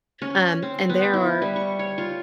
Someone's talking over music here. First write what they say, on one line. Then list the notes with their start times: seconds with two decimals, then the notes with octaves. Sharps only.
um, and there are
0.22 C#4
0.62 C4
0.89 B3
1.13 E4
1.42 G3
1.56 C#6
1.79 C#5
1.98 F4